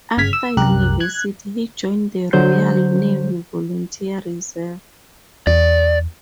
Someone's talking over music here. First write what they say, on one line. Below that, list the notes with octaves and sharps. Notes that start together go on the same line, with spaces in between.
After university he joined the Royal Navy Volunteer Reserve.
G1 C#3 F6 G#6 B6
E6
C2 F#2 G4 A#4 F#6
F#6 G#6
D3 F#3 C5 G6
E2 D5